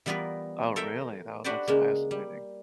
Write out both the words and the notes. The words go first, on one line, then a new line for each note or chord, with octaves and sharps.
Oh, really? Oh that's fascinating.
E3 G3 B3 F4 A#4 B4
A4 A#4 E5 G5
D4 F#4 G4 B4 C5 D5
C#3 G#3 A#3
G3